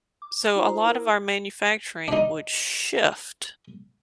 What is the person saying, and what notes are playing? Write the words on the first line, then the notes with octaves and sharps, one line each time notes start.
so, a lot of our manufacturing would shift.
D6
D#4 F4 C5 A#5
E4 A#4
D4 D#4